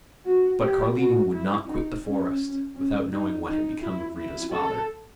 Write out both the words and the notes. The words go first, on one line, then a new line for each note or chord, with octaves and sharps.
But Carlini would not quit the forest, without knowing what had become of Rita's father.
F#4
G4
F#4
E4
D#4
C#4
C#4
D#4
D#4
E4
E4
A4